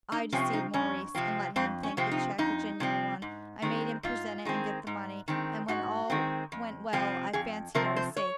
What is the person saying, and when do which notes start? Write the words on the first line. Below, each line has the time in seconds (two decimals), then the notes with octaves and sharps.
I deceived Maurice, and let him think the check a genuine one; I made him present it and get the money, and when all went well I fancied I was safe.
0.12 D#4
0.32 C3 F3 C4 C#4
0.53 D#4
0.74 F2 C#4
1.15 C3 F3 C4
1.56 F2 C4
1.83 C#4
1.97 C3 F3 C4
2.12 D#4
2.38 F2 D#4
2.80 C3 F3 C4
3.22 G#2
3.62 D#3 G#3 C4
4.03 G#2 F4
4.45 D#3 G#3 C4
4.87 G#2
5.28 D#3 G#3 C4
5.68 G#2 F#4
6.10 D#3 G#3 C4
6.52 F2
6.93 C3 F3 C4
7.33 F2 G#4
7.75 C3 F3 C4 A#4
7.96 C5
8.16 C#5